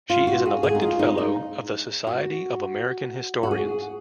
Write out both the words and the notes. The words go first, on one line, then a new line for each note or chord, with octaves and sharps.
She is an elected Fellow of the Society of American Historians.
F4
F#4
G#4
G#4
D#4
F4
D#4
D#4
F#4
F#4
G#4